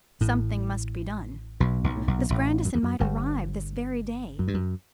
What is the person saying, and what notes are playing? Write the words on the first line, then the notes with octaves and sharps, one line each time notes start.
Something must be done; Miss Grandison might arrive this very day.
A1 A2
B1 B2
B1 B2
A2
B1 B2
B2
A1 A2
F#2
E2
F#2
G1 G2
F#2
G2
F#2